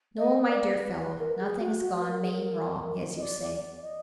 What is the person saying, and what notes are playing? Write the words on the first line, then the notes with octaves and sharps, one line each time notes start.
No, my dear fellow, nothing's gone main wrong, as you say.
D#5
D5
B4
B4
A#4
G#4
F#4
F#4
B4
A#4
G#4
A#4
D#5
D5
D5
D5
D#5